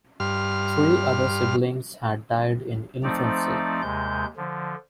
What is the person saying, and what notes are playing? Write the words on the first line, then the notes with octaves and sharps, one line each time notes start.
Three other siblings had died in infancy.
G2 C6 F6
F3 A3 C4 D#4 D5
D#2 C3 G#3 G6
D3 F3